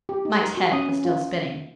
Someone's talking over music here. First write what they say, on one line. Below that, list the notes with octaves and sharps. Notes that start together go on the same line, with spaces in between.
Mike's head was still spinning.
G4
D#4
A#4
F#4
C#4 D#6
C#4
F4